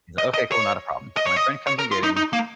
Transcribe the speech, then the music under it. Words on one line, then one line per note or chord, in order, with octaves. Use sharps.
He's like, "Okay, cool, not a problem." So my friend comes and get him,
D#5
D#5
C#5
D#5
C#5
D#5
C#5
A#4
F4
D#4
D#4
A#3